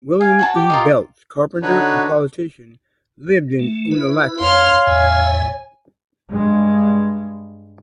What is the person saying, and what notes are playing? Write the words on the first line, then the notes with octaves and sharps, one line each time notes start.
William E. Beltz, carpenter and politician, lived in Unalakleet.
F5 G#5
F#4 C#5 A5
G4
F4 A#4 D#5
D3 D4 D#4 F#4 B4 C#5
A3
E4 B4
F2 C#5 F5 C6 F6
E2 A2 E5 G#5
G2 G#3